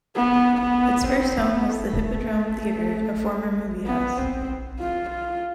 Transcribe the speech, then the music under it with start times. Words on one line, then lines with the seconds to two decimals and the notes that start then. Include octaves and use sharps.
Its first home was the Hippodrome Theatre, a former movie house.
0.16 B3
0.62 B3
1.08 C4
1.39 B3
1.70 A3
3.86 B3
4.17 C4
4.79 F4
5.10 F4